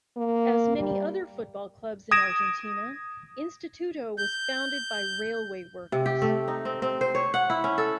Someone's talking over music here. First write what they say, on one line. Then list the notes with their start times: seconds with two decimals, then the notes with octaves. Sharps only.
As many other football clubs in Argentina, Instituto was founded by railway workers.
0.17 A#3
0.78 G3
2.11 D#6 G#6 A#6 D7 E7
4.18 G6
5.92 C3
6.06 G4
6.22 A3
6.48 D#4
6.65 C4
6.82 C4
7.01 C5
7.15 C#5
7.34 F#5
7.50 E4
7.64 C#4
7.78 A4